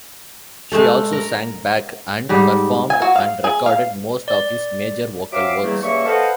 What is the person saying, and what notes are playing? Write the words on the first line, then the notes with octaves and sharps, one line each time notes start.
She also sang Bach and performed and recorded most of his major vocal works.
G#3 A3 A4
A#4
G#2 G3 D#4
G#5
F#4
F5
G#4
F5
D5
F#3 C4 E5 F5 D6
E2 G2 F#3 G3 A3 A#3
G2 C#3 A#3 E5 C#6
A4 B4 C5 D#5 F5 F#5